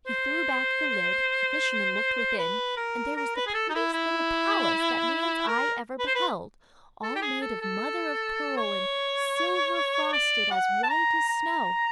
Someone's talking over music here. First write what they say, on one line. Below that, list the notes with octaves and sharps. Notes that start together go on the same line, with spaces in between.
He threw back the lid; the fisherman looked within, and there was the prettiest little palace that man's eye ever beheld, all made of mother-of-pearl and silver-frosted as white as snow.
C5
B4
A#4
A#4
B4
G#4
A4
D#4
E4
E4
A#4
B4
C5
B4
A4
G4
G#4
A4
A4
C#5
D5
F#5
A5
A#5
A#5